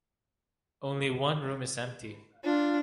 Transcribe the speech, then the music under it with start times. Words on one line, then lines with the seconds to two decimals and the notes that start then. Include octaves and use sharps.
Only one room is empty.
2.44 D4 F4